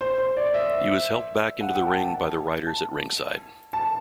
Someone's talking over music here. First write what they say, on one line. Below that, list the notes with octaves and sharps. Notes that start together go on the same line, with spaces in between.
He was helped back into the ring by the writers at ringside.
C5
C5
D5
E5
F#5
G5
A5
A5
A5
A5
A5